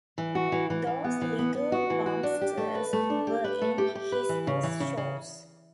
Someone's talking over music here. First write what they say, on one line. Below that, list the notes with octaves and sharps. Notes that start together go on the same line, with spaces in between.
Those little bumsters were in his first shows.
E3
F#4
E3
E3
E3
B3
E3
B3
B3
F#4
E3
F#4
D4
G4
A3
B4
A3
D4
G4
B4
A3
G4
G4
B4
E3
C#3
E3
C#3
C#3